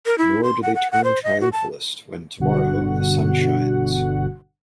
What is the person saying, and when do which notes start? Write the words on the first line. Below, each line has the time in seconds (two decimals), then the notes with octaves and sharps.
Nor do they turn triumphalist when, tomorrow, the sun shines.
0.06 A#4
0.18 E4
0.43 C6
0.63 F#5
0.75 F#5
0.92 F#5
1.04 C5
1.24 D#5
1.41 F#4
1.52 A5
2.38 G1 G2 B2 D3 F#4 F#5